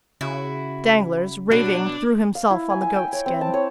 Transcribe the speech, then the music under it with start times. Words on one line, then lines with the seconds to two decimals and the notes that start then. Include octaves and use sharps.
Danglars, raving, threw himself on the goat-skin.
0.21 C#3 E4 F#4
1.51 B2 F#3 D4 F#4
2.35 F5
2.50 E4
2.70 G#5
2.82 G#5
2.95 G5
3.13 C#5
3.26 C4
3.41 A5
3.54 C#5